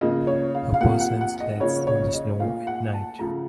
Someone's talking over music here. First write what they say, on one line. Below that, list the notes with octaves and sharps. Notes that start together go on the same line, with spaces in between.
A person sleds on the snow at night.
C#3 F3 A#3 D#5
C#5
F5
F5
C3 F3 A#3 F#5
F#5
F#5
D#5
C#3 F3 A#3 C#5
C#5
D#5
A#2 A3 F5
F#5
A5
C#3 F3 A3 A#5